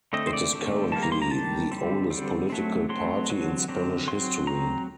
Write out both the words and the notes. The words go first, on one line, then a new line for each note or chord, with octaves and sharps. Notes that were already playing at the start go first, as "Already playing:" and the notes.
It is the currently the oldest political party in Spanish history.
D3 A3 C4 D#5
C5
D5
D3 A3 C4
D#3 G3 A#3 A5
A#5
C6
A#5
D#3 G3 A#3 A5
D3 G3 C4
D3 G3 C4
F#3 A3 C4
F#3 A3 C4 C6
D3 F#3 C4
D3 F#3 C4
F#3 C4 C6
F#3 C4 A#5